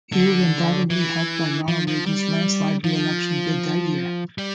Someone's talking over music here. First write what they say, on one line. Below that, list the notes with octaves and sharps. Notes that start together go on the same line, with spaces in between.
He was undoubtedly helped by Ronald Reagan's landslide reelection bid that year.
D3
E3
F3
F3
G3
F3
G3